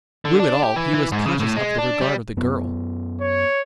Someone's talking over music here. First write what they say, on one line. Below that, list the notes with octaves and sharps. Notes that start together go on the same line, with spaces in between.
Through it all he was conscious of the regard of the girl.
D3
D4
G4
E3
E3
G#2
C#3
A2
G#3
D4
G3
F#2 B3
C#5